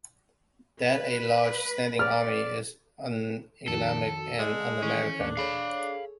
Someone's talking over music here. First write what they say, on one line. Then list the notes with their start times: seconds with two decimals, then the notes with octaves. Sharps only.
That a large standing army is uneconomic and un-American.
0.82 B4
1.99 D5 F6
3.68 F2 D#3 F#4 A4
4.39 G#3 D5
4.83 D#3 E3 C#4
5.20 D#2 A#3 D4
5.37 G#4 A4 C#5 F5 B5